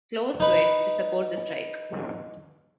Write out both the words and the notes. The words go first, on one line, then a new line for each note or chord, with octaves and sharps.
Closed Wed. to support the strike.
D#4 B4